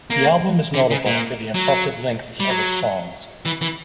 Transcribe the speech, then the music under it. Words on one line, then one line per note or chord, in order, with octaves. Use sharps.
The album is notable for the impressive lengths of its songs.
A#3
D3
C#3
A#2
F#3
G3
F#3
E3
E3